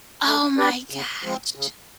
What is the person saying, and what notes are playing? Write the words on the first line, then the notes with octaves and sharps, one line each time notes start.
Oh my gosh.
A3
D4 G4 B4 D5
C#3
F3 G#3 C4
C#3